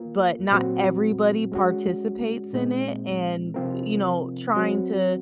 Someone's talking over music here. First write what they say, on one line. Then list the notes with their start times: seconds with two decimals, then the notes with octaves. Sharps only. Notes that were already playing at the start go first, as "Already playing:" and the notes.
but not everybody participates in it, and, you know, trying to
Already playing: A#3 F4 A#4
0.52 A#2 F#3 C4 F#4
1.52 G#3 C#4 F#4
2.53 A#2 G#3 C4 D#4
3.54 C3 F3 C4 F4 A#4
4.56 F#3 C4 F#4